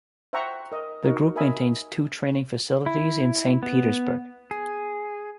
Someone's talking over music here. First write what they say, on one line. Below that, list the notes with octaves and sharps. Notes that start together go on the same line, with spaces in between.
The group maintains two training facilities in Saint Petersburg.
C5 E5 F#5 G5 A#5 C#6
A#4 D#5
D#4 F#4 A#4
A#4 D#5 E5 G#5 B5
E4
B3
G#4